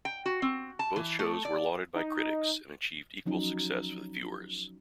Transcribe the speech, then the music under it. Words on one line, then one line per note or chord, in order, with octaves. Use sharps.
Both shows were lauded by critics, and achieved equal success with viewers.
G5
F#4
C4
A5
E3
A3
D5
D#4
F3 F#3 C#4 D#4